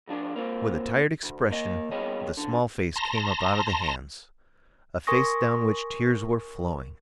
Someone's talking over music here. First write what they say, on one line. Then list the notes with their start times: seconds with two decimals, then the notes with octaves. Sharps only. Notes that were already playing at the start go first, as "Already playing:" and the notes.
With a tired expression the small face came up out of the hands,--a face down which tears were flowing.
0.08 G#2 F3 D4
0.36 A#3 C4 F4
1.23 D2
1.51 A#3 D#5
1.91 A#2 G3 B3 G#4 C#5 D#5
2.37 B1 D3
2.96 A5 A#5 C6 A#6
5.07 A#4 G#5 C6 C#6 D#6 A#6